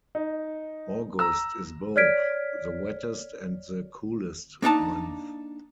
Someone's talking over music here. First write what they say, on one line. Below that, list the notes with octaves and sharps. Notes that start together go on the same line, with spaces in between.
August is both the wettest and the coolest month.
D#4
A#5 E6
C#5 D5 F6 G#6 B6 D7
A#3 D4 D#4 A5